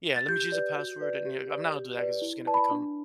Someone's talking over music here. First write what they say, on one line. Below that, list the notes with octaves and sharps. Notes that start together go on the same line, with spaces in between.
yeah, "Let me change the password," and, you know, I'm not gonna do that because it's just gonna become
A6
G4 G6
B4 D5
F#4
B4 D5
G4
B4 D5
G4
B4 D5
E4
B4 D5 A5
B5
D4